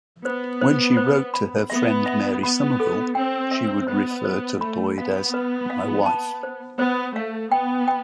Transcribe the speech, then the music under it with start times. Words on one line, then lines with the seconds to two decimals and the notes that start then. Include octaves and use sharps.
When she wrote to her friend Mary Somerville, she would refer to Lloyd as “my wife”.
0.25 B3 C5
0.61 C5
0.97 C5
1.34 B5
1.70 B3 E5
2.06 E5
2.43 B3 B5
2.80 A4
3.15 C4 G5
3.51 E5
3.88 B3 C5
4.25 C5
4.61 A3 B5
4.98 B3 F5
5.34 B4
5.70 F5
6.06 A5
6.43 C5
6.79 B3 C5
7.16 A3 F5
7.52 B3 G5
7.88 G5